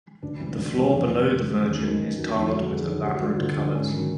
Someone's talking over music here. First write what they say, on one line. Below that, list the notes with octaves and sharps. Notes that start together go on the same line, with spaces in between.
The floor below the Virgin is tiled with elaborate colors.
D2 D4
C3 E3 G3
D2
C3 E3 G3
C#4
F2 D4
D3 G3
F2
D3 G3
D#2 C#4
D#3 F#3
D#2
D#3 F#3
F2 D#4
E4
D3 F#3 A4
F#4
F2 G#4
D3 F#3
D2 G4
F#4
D3 G3 F4
F#4
D2 F4
D3 G3 D4
G#2 C#4
D#3 F#3